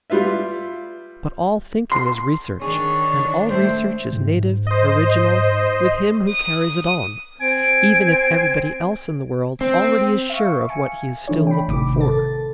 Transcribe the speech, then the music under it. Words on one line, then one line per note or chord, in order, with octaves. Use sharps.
But all thinking is research, and all research is native, original, with him who carries it on, even if everybody else in the world already is sure of what he is still looking for.
G3 F4 B4 E5
C6
D#3 D4 G#4 C#5
A3 C4 C5
G#2
C5 D#5
D#6
C4 G#5 D7
C4
E5 F5 C#6
G#5 C#7
E3 A3 D4 E4 C#5
G5 B5
G#1 A2 C3 D#3 D6
A4 A6